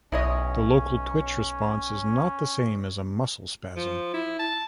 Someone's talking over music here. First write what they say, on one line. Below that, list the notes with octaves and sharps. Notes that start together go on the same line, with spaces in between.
The local twitch response is not the same as a muscle spasm.
B1 C#4 E4 C#5 D#5
F3
E4
A5